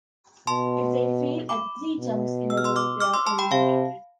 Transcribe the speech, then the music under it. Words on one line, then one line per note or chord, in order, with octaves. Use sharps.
If they fail at three jumps in a row, they are eliminated.
B2 A5 C6
B5 D6
B2
E6
F6
C6 E6
D6 F6
D6 F6
C6 E6
A5 C6
G5 B5
C3 F5 A5